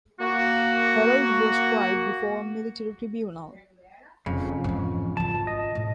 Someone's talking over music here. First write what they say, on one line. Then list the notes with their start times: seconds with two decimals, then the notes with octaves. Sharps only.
Herold was tried before a military tribunal.
0.20 A#3 F#4
4.26 F1 F2 C#3
4.64 G#2 E3
5.17 G#1 F4 A5
5.47 D#5
5.75 A2